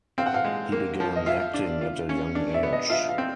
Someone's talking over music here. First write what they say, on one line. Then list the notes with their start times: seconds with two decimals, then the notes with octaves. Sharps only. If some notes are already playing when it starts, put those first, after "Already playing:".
He began acting at a young age.
0.18 C4 F5
0.26 F#5
0.34 F5
0.45 G#3
0.72 A#3
1.00 F3
1.16 D#5
1.26 F4 E5
1.54 D4
1.81 F4
2.09 C#4
2.35 D4
2.54 E5
2.63 B3
2.73 D#5
2.90 F4 E5
3.09 F5
3.18 C4